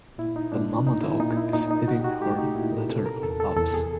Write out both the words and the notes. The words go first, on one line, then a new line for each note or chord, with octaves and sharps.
The momma dog is feeding her litter of pups.
A#2 E4
D#4
A#2 D4
A#2 D#4
E4
A#2 D#4
E4
A#2 D#4
D#4
A#2 F#4
G4
F#4
A3 G4
D#4
A#2 E4
A#4
C3 A4
A#4
E2 A4
A4
E2 A4
G#4